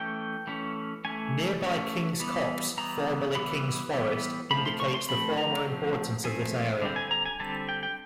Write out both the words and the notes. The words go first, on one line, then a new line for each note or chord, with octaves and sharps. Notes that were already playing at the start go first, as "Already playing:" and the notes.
Nearby Kings Copse, formerly Kings Forest, indicates the former importance of this area.
Already playing: E3 A3 C#4 G5
E3 A3 C#4
E3 A3 C#4 G#5
E3 A3 C#4
E3 G3 B3
E3 G3 B3 A#5
E3 G3 B3 B5
E3 G3 B3
F3 A3 C4 B5
C6
C#6
C6
F3 A3 C4 B5
A#5
F3 A3 C4
F3 A3 C4 G#5
D3 G3 C4
G#5
A#5
G#5
D3 G3 C4 A5
G5
G5